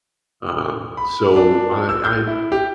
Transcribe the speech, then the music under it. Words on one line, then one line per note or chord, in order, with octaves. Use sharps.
um, so, I I
B5
D4
E6
G6
E4
G4